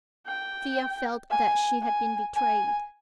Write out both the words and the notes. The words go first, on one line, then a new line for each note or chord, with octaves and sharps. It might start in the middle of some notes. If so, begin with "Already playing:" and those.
Thea felt that she had been betrayed.
G5
G#5
G#5
G#5